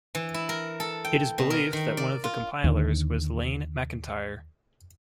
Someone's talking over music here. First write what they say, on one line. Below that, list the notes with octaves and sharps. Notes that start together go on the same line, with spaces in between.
It is believed that one of the compilers was Iain McIntyre.
E3
E4
A#4
A4
G5
B2
A#4
D#3
D5
F4
D#2 D3